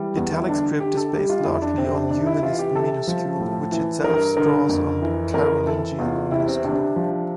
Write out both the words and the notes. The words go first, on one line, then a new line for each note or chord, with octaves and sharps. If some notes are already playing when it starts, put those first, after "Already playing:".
Italic script is based largely on Humanist minuscule, which itself draws on Carolingian minuscule.
Already playing: E3 G3
E2
E4
D3 D4
D3 G4
A4
G3 G4
F4
F2 E4
D4
C3 C4
D4
C3 D4
E4
E3 F4
G4
C3 A4
F3
A2
E3
G2 A#4
D3 A#4
F2
E3
F2 A#4
E3 A4
E2 F4
F4
C3 E4
C4
C3 D4
F3